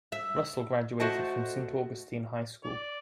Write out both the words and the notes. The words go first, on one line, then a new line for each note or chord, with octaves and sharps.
Russell graduated from Saint Augustine High School.
E5
A3 F#4 C5 D#5 A5
D5